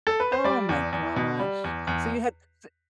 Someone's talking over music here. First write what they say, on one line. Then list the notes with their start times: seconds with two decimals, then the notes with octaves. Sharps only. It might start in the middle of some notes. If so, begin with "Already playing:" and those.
Oh, my gosh. So you had s
0.07 A4
0.20 B4
0.32 C5
0.44 G3 D5
0.69 E2
0.93 E2
1.16 B2
1.39 G3
1.64 E2
1.87 E2